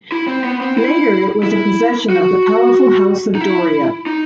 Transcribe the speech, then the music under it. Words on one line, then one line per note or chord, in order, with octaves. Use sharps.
Later it was a possession of the powerful House of Doria.
E4
C4
B3
C4
E4
E4
F#4
D#4
E4
D#4